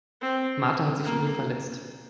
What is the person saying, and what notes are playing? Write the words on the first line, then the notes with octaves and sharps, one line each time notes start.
Martha hat sich übel verletzt.
C4
A#3